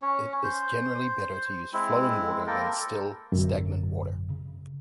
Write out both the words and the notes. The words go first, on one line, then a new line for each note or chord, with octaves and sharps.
It is generally better to use flowing water than still, stagnant water.
C#4 C#5
C5
G#3 C4 E4
A#3 A4 A#4 G5
G#1 F#2 B2 D3
C#3